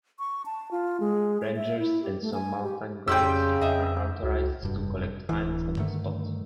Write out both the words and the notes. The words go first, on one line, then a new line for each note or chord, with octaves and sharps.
Rangers and some mountain guides are authorized to collect fines on the spot.
C#6
A5
F4
G#3
C#5
E5
E4
G4
A3
G#5
G4
F2 C#3 G3 C4 G4 G5 E6
F2 D#5 E5
C#2 F#4
F1 G2
D1 D2 E3
G2 D3 D#3 A3